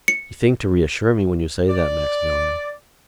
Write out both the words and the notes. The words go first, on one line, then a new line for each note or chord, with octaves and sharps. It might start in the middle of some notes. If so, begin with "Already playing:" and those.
"You think to reassure me when you say that, Maximilian."
C#7
D5